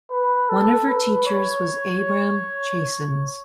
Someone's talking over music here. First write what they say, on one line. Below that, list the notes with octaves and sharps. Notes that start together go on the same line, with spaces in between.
One of her teachers was Abram Chasins.
B4
A4
B4
C#5